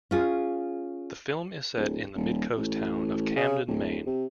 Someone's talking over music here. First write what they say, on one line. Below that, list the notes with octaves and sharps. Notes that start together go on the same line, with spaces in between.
The film is set in the Mid-Coast town of Camden, Maine.
C#4 F4 G#4
D1
D#1
A1
C#3
D1
C3